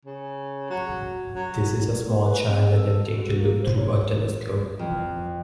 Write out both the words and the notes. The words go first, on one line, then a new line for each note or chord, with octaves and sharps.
This is a small child attempting to look through a telescope.
C#3
F#3
F#3
A3
B4
C4
A4
F#4
A#3
C5
C#5
F2